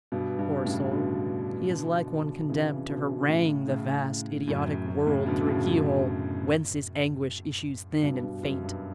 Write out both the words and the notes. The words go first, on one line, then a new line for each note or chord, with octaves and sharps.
Poor soul, he is like one condemned to harangue the vast, idiotic world through a keyhole, whence his anguish issues thin and faint.
G2 B2
G2 B2
A2 C#3
B2 D3
B2 D3
C#3 E3
B2 D3
A2 C#3
A2 C#3
F#2 A2
F#2
A2 C#3
B2 D3
A2 C#3
F#2 A2
G2 B2
G2
F#2
G2